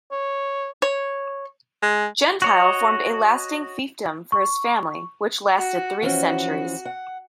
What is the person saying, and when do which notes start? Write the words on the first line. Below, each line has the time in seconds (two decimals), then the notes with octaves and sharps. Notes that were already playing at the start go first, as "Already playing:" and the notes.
Gentile formed a lasting fiefdom for his family which lasted three centuries.
0.12 C#5
0.82 C#5
1.83 G#3
2.42 F#4 C#5 D#5
4.32 C#6
5.57 F#4
6.03 E3 F3 C#4 F#4
6.85 F#5